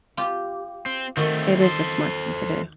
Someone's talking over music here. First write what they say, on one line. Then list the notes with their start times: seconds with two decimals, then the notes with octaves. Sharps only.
It is a smart thing to do.
0.17 F4 G4
0.86 C4
1.17 D#3 A3 C4 F#4
1.61 A4 C5